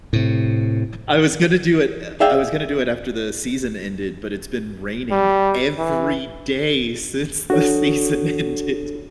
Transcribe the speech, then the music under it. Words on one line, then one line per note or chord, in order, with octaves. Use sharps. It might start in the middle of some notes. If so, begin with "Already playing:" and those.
I was gonna do it Eh, I was gonna do it after the season ended, but it's been raining every day since the season ended.
A2 C3
G#4 D5 E5 F5 G5
G3
E3
D4 F#4 A4 C#5